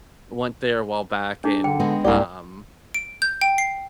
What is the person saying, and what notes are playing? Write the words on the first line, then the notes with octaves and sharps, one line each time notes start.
went there a while back, and, um,
D4 D#4 G#4
D3 G5
G#3 B3 C4
C2 G#2 A#3 G4 D5
D7
G6
G5
C7